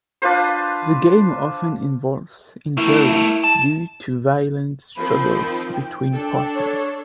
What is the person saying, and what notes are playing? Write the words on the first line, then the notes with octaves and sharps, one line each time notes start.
The game often involves injuries due to the violent struggles between partners.
D4 F4 B4 C5
A3 E4 A#4
A5
D#3 F3 C4 B5
G5
D4 A4
C#5